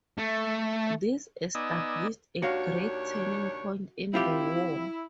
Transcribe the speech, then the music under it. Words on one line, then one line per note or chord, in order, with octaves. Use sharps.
This established a great turning point in the war.
A3
B3 D#4 D5 D#5 G#5 E6
D#2 D4 F#4 C#5 F5
C4 E4 F4 G4